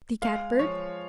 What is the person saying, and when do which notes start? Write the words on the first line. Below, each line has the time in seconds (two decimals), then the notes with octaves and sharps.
The Cat-bird.
0.22 G#3 F5
0.59 F3 C#5